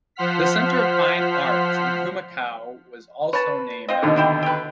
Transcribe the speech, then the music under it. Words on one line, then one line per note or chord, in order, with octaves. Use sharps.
The center of fine arts in Humacao was also named after him.
F3 C5 F#5 F6 B6
B4 C#5 A5
C4 F4 D#5
D#2 B2 D3
F#3 E4 G4
G4 B4